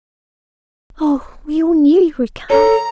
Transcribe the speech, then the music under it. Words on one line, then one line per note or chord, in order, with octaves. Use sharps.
'Oh! we all knew you would come.
A4 C#5 A#5